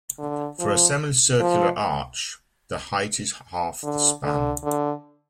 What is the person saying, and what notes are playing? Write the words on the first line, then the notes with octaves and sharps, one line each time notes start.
For a semi-circular arch, the height is half of the span.
D3
F3
F3
D3
D3
D3